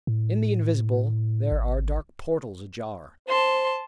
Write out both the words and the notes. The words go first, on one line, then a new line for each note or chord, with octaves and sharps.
In the invisible there are dark portals ajar.
A2
G#1
C5 A5 C6